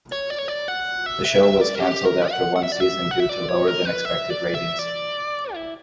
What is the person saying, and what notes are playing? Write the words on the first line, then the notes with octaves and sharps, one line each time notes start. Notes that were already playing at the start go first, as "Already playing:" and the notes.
The show was canceled after one season due to lower than expected ratings.
C#5
D5
C#5
D5
F#5
E5
E5
E5
D5
A#4
G4
A#4
F#5
F#5
E5
D5
E5
F#5
E5
D5
C#5
A#4
B4
E5
D5
E5
D5
E4